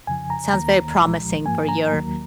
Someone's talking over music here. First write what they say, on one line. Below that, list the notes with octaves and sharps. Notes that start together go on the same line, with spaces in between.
sounds very promising for your
F2 C#3 F3 G#5
A#5
D#2 D#3 A#3 A#5
C2 A#2 F3 G#3
G#2 F3 A#3 G#5
A#5
D#2 D#3 F#3 A#3